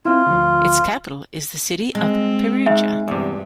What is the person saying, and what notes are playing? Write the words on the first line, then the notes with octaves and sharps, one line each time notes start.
Its capital is the city of Perugia.
C4 E4 F4
D2 F3
G#3 C4
G#2 E5
E2 G2 C3